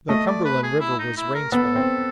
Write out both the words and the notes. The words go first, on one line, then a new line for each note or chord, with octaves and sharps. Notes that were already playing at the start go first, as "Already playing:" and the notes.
The Cumberland River was rain-swollen.
A3 D#5
D5
B4
G#4
E4
D#4
E4
A#4
B3 A4
C4